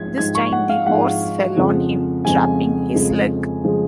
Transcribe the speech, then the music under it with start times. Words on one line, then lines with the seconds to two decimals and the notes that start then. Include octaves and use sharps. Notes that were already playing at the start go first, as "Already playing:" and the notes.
This time the horse fell on him, trapping his leg.
Already playing: G#2 F3 G#3 G#6
0.17 G#2 F3 G#3 G#6
0.35 C#6
0.52 F#5
0.69 F5
0.86 G#2 F3 G#3 F#5
1.56 F2 C#3 F3 G#3
2.25 F2 C#3 F3 G#3 G#5
2.94 F2 C#3 F3 G#3
3.64 C#3 F3 G#3